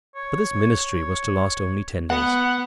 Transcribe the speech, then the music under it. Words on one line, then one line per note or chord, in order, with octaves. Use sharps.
But this ministry was to last only ten days.
C#5
B3 F#5